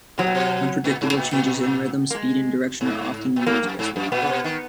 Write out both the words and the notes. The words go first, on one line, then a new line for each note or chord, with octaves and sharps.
Unpredictable changes in rhythm, speed, and direction are often used, as well.
B2 F#3
A#2
B2
A#2
G#2
G#2
A#2
A#2
A#3
G#3
G#2
A#2
G#2 A#3
F#2
G#2
F#2
A#2 B3
C#3
B2
D#3